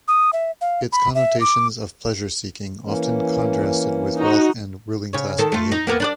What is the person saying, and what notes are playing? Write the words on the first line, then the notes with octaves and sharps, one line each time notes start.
Its connotations of pleasure-seeking often contrasted with wealth and ruling class behavior.
D#6
E5
F5
B5
E5
D6
E3 A#3 C#4
D#4 F#4
C#3 C#5
D#3 A4
A3 F4
D#4
A#3 B3 A#4
D4 B4 D5